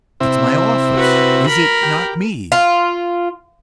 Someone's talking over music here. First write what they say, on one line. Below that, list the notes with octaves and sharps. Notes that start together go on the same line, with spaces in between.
It's my office, is it--not me?
C3 C4 E4
F#4 B4
A#4 B5
G4
F4